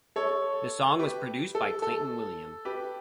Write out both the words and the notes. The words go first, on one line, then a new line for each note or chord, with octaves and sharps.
The song was produced by Clayton William.
A4 C#5
G4 B4
A4
A4
G4 B4